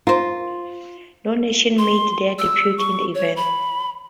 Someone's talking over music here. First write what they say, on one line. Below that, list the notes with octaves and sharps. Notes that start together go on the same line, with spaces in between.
No nations made their debut in the event.
F4 A#4 C5
C6
E6
C#6
C#5
B5